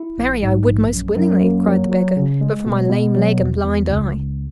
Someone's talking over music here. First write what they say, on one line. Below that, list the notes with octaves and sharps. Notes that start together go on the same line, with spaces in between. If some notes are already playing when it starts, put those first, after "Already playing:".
"Marry, I would most willingly," cried the beggar, "but for my lame leg and blind eye."
Already playing: E4
A#1
G#2
A#1
F#2
F#2
A#3
F#3
F#3
C#3
G#3
B2
B2
F#3
E2
E2
C#2
C#2